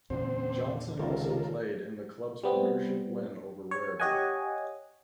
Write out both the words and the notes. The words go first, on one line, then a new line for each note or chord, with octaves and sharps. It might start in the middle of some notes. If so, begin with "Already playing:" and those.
Johnson also played in the club's premiership win over Werribee.
E2 A#2 D3 C4 C#4 C5
C#2 D#3 F4 A4 A#4
G3 B3 C4
C#5
G4 C#5 D#5 F#5 G#5